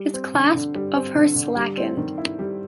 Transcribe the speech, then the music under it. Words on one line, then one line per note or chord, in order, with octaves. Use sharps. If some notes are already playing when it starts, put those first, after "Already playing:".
His clasp of her slackened.
Already playing: G3
C4
D3
D3
G3
C4
D3
D3
G3
C4
D#3
E4
G3